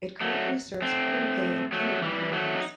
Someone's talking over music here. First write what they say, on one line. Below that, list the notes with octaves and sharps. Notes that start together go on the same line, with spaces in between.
It currently serves Pre K and Kindergarten levels.
F#3 A3
A3 C4
F#3 A3
E3 G3
F#3 A3
D#4